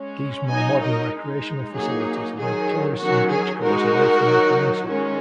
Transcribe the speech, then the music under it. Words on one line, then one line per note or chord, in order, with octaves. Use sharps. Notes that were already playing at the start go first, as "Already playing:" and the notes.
These more modern recreational facilities lured tourists and beachgoers away from the peninsula.
Already playing: G#3 C#4
F#3 D#4 D#5 G#5
A#4 D#5
G#3 D#4
F#3 A#3 D#4 G#4
D#3 F#3 D#4 G#4
D#3 F#3 C#4 F#4
G#4
G#3 D#4 F#4 A#4
D#3 F#3 D#4
D#3 G#3 C#4